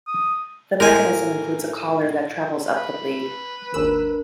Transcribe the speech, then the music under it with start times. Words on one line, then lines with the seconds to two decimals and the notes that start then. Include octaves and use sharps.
The mechanism includes a collar that travels up the blade.
0.08 D#6
0.80 A2 G4 A#4 C5 G#5
2.77 B4
3.74 G#1 D#2 D4 A#4 E6